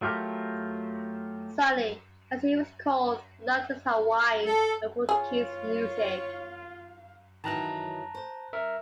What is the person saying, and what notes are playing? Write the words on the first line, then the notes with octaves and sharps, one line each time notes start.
Sonny, as he was called, loved his Hawaiian and Portuguese music.
F#3 A3 F4 G4 A#4
A4
F4 G#4 C#5 F5
D#3 E3 F#3 A5 A#5 F#6
C5
A#4 E5